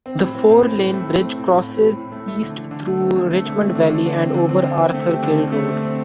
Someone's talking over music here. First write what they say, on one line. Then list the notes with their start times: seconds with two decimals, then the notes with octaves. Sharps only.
The four-lane bridge crosses east through Richmond Valley and over Arthur Kill Road.
0.06 C4
0.20 A2
0.35 C4
0.49 A2
0.64 A2
0.79 A2
0.93 A3
1.09 C4
1.23 C4
1.38 A2
1.53 A2
1.69 A2
1.83 A2
1.97 A2
2.12 A3
2.28 A3
2.42 D3
2.57 D3
2.71 D3
2.86 A3
3.01 C4
3.16 D3
3.31 A3
3.46 A3
3.61 C4
3.75 D3
3.90 D3
4.05 D3
4.20 C4
4.34 D3
4.49 C4
4.64 D3
4.79 C4
4.94 A3
5.09 G4
5.23 D3
5.38 C4
5.52 A3
5.68 C4
5.83 C4